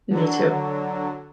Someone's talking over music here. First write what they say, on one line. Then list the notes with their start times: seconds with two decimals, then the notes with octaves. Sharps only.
Me too.
0.10 D3 F#3